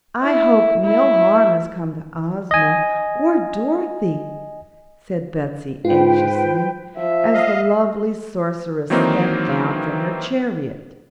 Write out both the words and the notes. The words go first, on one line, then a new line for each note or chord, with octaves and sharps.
"I hope no harm has come to Ozma, or Dorothy," said Betsy anxiously, as the lovely Sorceress stepped down from her chariot.
E4
E4
D#5 G#5
G#2 F4 B4 C5 G5
F3 E5
D#5 F5
D#3 E3 F#3 A#3 C4 D#4